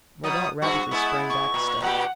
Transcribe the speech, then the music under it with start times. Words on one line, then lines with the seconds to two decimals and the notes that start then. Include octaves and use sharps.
Mordaunt rapidly sprang back a step.
0.24 B2 F#3 D#6
0.62 G2 F#4 C#6
0.91 G#3 B3 E4
1.29 C#6
1.54 A#2
1.82 A#2 G4 F#5